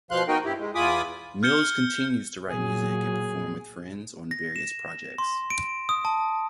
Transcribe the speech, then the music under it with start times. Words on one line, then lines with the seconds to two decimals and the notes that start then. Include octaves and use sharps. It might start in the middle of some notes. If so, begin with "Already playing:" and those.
Mills continues to write music and perform with friends on various projects.
0.11 B2 F3 F5 C6 F#6
0.28 B3 D#4 F#4 A#4 D#5 G5
0.44 G2 E4 G4
0.59 G#3
0.75 E2 F4 G#5 B5 D6 D#6
1.43 F6 G6 C#7 G7
2.49 A#2 F#3 G#4
4.31 A#6
4.56 E7
5.18 C6
5.50 D7
5.89 D#6
6.05 A5